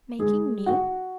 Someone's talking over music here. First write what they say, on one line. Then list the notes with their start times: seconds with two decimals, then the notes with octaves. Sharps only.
Making me?
0.19 G#3 G#4
0.66 F#4